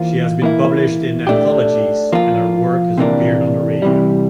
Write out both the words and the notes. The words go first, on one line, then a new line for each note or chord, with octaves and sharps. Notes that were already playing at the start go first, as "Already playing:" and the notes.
She has been published in anthologies and her work has appeared on the radio.
Already playing: E3 A#3 F4 C5
E3 A#3 E4
A3 D4 G4
F3 A#3 F4
C3 E3 A#3 D4
C3 E3 G3